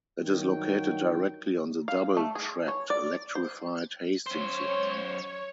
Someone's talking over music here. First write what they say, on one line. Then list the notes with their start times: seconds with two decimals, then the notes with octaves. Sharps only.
It is located directly on the double-tracked electrified Hastings Line.
0.21 G2 D#3 F#3 G5
1.88 F5
2.17 A3
2.35 G#4
2.68 C#5
2.90 D5
3.35 C5
4.26 F#2 C5 C#5